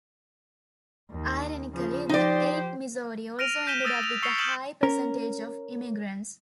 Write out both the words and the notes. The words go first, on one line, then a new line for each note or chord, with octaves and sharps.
Ironically, the Eighth Missouri also ended up with a high percentage of immigrants.
D#2
C#3 F3
F3 D#4 G4 C5 D5
F6 A#6 D7 D#7 F7
G6 B6 D#7 E7 G7
D#6 E6 A6 A#6 D7
F7
C#6 E6 C7 C#7 F7 G7
D#6 F6 G6 E7 F#7 G7
C#4 A#4